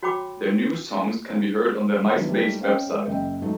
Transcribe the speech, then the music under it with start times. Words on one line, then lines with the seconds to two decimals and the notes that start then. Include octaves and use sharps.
Their new songs can be heard on their MySpace website.
0.03 F#4 C#5 G5 B5 D6
2.15 D#3 F3 F#3 B3 D4 E4
2.29 G3 A3 A#3 D#4 E4
2.60 C4 C#4 C#5 D#5 F5 G5
2.87 G#3
3.07 F#1 D#5 E5 G5
3.41 G#2 F#3 A3 D#4